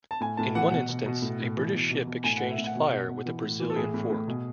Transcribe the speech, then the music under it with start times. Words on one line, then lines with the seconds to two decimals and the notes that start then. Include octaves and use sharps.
In one instance, a British ship exchanged fire with a Brazilian fort.
0.11 A5
0.20 A2 G#5
0.37 A2 A5
0.55 E3 F#5
0.71 B2 F#5
0.89 B2
1.06 B2
1.22 A2
1.40 A2
1.57 E3
1.73 B2
1.91 B2
2.07 B2
2.24 A2 G#5
2.37 A2 F#5
2.51 E5
2.58 A2
2.64 F#5
2.75 B2
2.91 B2
3.09 B2
3.26 E3
3.43 A2
3.60 E3
3.70 A4
3.76 A2 G#4
3.94 A2
4.10 A2
4.28 B2